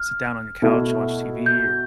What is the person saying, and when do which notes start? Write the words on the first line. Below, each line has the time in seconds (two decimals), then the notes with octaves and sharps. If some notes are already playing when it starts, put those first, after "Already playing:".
sit down on your couch and watch TV, or
Already playing: F6
0.62 B2 A3 E4
1.46 G6